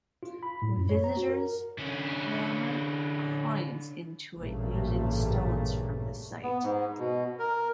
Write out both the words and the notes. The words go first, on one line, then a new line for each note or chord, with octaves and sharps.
Visitors hammer coins into it using stones from the site.
F4
B5
A2
F#2
C#5
A#5
F#4
A#4
D3 C#4
A1 G2 A#2 C#3 A3 A#3
B3
G#2
B2
A#4